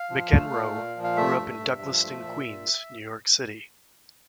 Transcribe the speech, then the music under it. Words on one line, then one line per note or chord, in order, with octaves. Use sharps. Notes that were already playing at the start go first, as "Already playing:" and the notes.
McEnroe grew up in Douglaston, Queens, New York City.
Already playing: F5
F3
A3
A#2
A#2
F3
F5
A3 E5
G2
G2
F3
A3
A#2
A#2